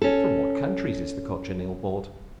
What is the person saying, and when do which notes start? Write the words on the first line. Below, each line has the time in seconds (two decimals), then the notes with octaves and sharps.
From what countries is the Cochineal brought?
0.02 C#4 A4